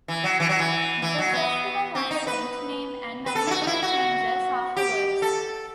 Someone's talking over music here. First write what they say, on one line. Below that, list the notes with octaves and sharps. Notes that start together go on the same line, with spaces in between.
The festival underwent name and management changes afterwards.
E3
F#3
E3
F#3
E3
E3
F#3
B3
C4
D#4
B4
B4
A4
E4
F#4
D#4
E4
F#4
G4
A4